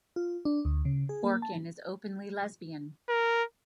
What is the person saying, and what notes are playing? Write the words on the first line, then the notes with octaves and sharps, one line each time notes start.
Orkin is openly lesbian.
F4
D4
D2
C#3
G#4
A#3
A5
A#4